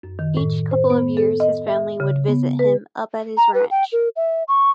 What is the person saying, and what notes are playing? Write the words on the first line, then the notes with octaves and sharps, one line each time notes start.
Each couple of years, his family would visit him up at his ranch.
F#2
D#3
A2
C5
B3
A4
D#5
E5
C#3
B3
B4
A#5
B4
G5
A#4
E5
C#6